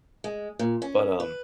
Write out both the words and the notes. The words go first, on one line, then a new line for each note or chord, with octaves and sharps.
but, um,
G#3
A#2
C#4
B4